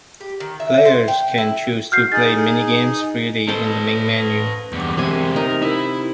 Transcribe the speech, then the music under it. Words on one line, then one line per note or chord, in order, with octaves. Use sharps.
Players can choose to play mini-games freely in the main menu.
G4
D#3
E5
C5
G5
E4
F#4 F6 G6 C7
D#4 G#4 A6
A4 B4 C5 D#5 A5
E2 G2
C3 E3 G#3 G#5
D#4 A#4
D#4 E4